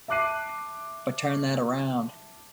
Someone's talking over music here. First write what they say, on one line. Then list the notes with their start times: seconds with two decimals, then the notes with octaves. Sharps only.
But turn that around.
0.08 E5 A5 D6 F#6 C7 D#7